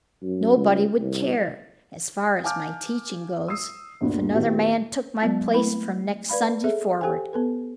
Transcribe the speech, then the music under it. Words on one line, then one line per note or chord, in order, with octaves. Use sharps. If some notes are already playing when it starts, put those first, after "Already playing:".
Nobody would care, as far as my teaching goes, if another man took my place from next Sunday forward.
F#2
C#2
C2
F5 G#5 A5 D6 F6 G6
D#6 E6 C7
G1 D2 A#2
A#2 D#3 B3 E4 F#4 G4
F#3 G#3 B3 F4 A5
A3 C4 E4 B4 B5
B4 D5 F5 B5
G#4 A4 E5
G4 A4 C5 F5 G5 G#5
B3 A4 B4